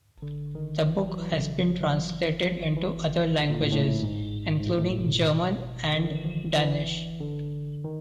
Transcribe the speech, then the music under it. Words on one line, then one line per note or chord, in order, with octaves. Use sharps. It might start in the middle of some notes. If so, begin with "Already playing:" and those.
The book has been translated into other languages, including German and Danish.
D3
D#3
E3
F#3
E3
D3
C#3
F3
F#3
E3
F3
E3
D3
A#2
A2
A2
G#2
G#2
A2
A2
A#2
B2
D3
D#3
E3
F3
E3
D3
D#3